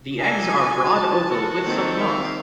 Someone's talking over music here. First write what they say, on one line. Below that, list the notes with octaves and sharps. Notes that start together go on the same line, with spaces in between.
The eggs are broad oval with some gloss.
D#4 A4 D5 G#5
F#4
A5
F#4 A4 A#4
D#3 A#3 C4
G3 A#4 E5 F5